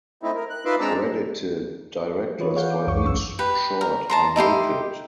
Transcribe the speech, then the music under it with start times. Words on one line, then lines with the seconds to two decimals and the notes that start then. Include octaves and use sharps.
Credited directors for each short are noted.
0.23 A3 C4 D#4 E4
0.35 A#4
0.50 F#6
0.65 D#4 F4 B4 E5 C6 D6
0.80 G#3 C4 D4 D5 A#5 E6
2.39 E3 F4 B4 C#5
2.55 G#4 C#5 F5 F#5 G6
2.70 D6
2.87 C#2 F#2 C#6
3.03 A#1 G2 C#4 C#6 E6
3.39 G4 B4
3.81 A#4
4.10 A5 A#5 C6
4.36 D#4 E4 G4 C6